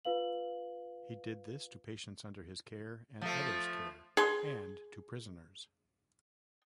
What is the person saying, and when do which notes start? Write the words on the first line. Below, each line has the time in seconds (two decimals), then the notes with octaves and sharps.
He did this to patients under his care or others' care, and to prisoners.
0.05 F4 B4 F5 F#7
3.21 F3 A3
4.17 G#4 C6